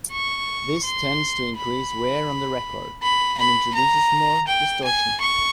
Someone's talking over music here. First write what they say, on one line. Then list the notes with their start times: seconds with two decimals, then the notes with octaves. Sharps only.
This tends to increase wear on the record, and introduces more distortion.
0.11 C#6
0.84 C6
1.56 B5
3.02 B5
3.38 B5
3.75 A#5
4.47 G5
4.84 G#5
5.21 C#6